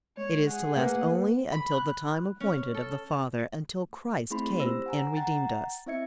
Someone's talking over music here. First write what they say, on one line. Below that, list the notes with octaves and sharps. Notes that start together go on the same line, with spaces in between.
It is to last only until "the time appointed of the father," until Christ came and redeemed us.
G#3 C#5
G#4 F#5
A#3 B4
B5
F#6
C#4
A4
A3 C4 E4 G#4 B5 C6
G4 C5 E6 A#6
F#5 G#5 A#5
F#5 G5 A#5 A6
C4 E4 D#5 E5 G#6 C#7